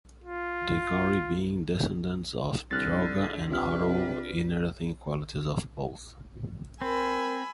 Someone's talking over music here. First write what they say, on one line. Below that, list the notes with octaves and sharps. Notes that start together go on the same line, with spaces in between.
The Gauri being descendants of Drauga and Haroun inheriting qualities of both.
F4
C2 D3 F6 F#6 A6
C3 D4 F4 B4 F6
C4 A#4 G#5 B5 E6